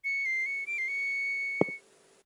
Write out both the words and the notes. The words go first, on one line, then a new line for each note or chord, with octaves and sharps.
Ford introduced flexibility into mass production, so that Fordism could continue to evolve.
C#7
C7
C#7
D7
C7
C#7